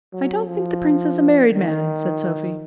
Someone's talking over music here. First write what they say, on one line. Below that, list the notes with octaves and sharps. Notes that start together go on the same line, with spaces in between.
"I don't think the prince is a married man," said Sophy.
F#3
F3
D#3